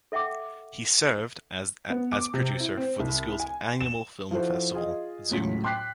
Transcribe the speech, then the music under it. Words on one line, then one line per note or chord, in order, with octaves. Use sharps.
He served as a producer for the school's annual film festival, Zoom.
A4 E5 F#5 G5 D6
B3
D6
C3
E4
C4
C2
G#5
E7
F3 E4 F#4 A4 C5
F4 G#4 D#5
C#2 A2 F#3 B6
G5 C6 D6 F#6 B6 C7